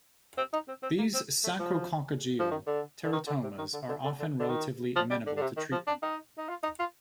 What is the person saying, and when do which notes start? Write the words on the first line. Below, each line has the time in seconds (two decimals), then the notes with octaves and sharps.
These sacrococcygeal teratomas are often relatively amenable to treatment.
0.38 C4
0.53 D#4
0.68 C4
0.83 C4
0.98 A#3
1.14 C4
1.44 A3
1.59 F3
2.40 F3
2.51 D#3
2.66 D3
3.04 D3
3.13 D#3
3.27 D3
3.43 C3
3.58 D#3
3.73 D3
3.89 D3
4.04 D3
4.19 D3
4.40 D3
4.49 D#3
4.96 F3
5.11 G3
5.26 D3
5.37 D3
5.42 C3
5.57 D#3
5.72 F3
5.87 D4
6.03 D#4
6.38 D#4
6.49 F4
6.63 D#4
6.79 F4